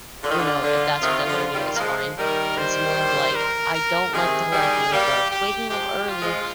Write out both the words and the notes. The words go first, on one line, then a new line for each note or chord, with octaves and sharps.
you know, if that's what they wanna do, that's fine, but it's more of, like, I don't like the whole idea of, like, waking up early,
D3 F4
D#3
D3
D3
C3 D#3
D3 F3
D#3 G3
A#3
F3 G#3
D#3 G3 A#4
C5
A#4
A#4
C3 D#3 G#4
D#3 G3
G3 A#3 G4
G4
F3 G#3 G4
F4
F3 G#3